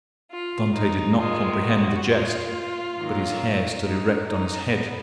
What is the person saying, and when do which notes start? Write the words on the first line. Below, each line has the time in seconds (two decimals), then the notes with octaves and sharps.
Dantes did not comprehend the jest, but his hair stood erect on his head.
0.31 F4
0.75 D#4
1.20 G#2 D#3 G#3 F4
1.64 F#4
2.08 F4
2.96 G#2 D#3 F#3 A#3
3.84 D#4
4.28 D#4
4.72 B3